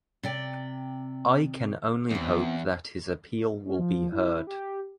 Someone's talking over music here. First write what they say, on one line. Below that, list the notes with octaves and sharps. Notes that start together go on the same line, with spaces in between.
I can only hope that his appeal will be heard.
C3 D5 G5
E2 B3 C4
C#4
F3
E4
G4